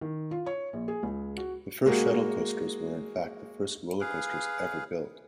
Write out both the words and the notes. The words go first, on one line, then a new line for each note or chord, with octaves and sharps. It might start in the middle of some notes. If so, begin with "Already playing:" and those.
The first shuttle coasters were in fact the first roller coasters ever built.
D#3
F4
C#5
A#1
G#4
C#2
F#4
G#3 A#3 F#4
G#4 B4 F5